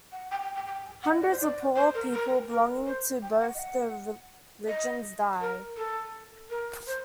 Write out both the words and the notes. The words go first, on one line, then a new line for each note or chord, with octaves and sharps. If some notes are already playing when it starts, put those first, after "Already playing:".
Hundreds of poor people belonging to both the religions die.
F#5
G5
G5
G5
G5
F#5
D#5
D5
C5
D5
C5
A#4
A#4
A#4
C5
G5
F#5
D#5
F#5
D#5
A#4
A4
A#4
C5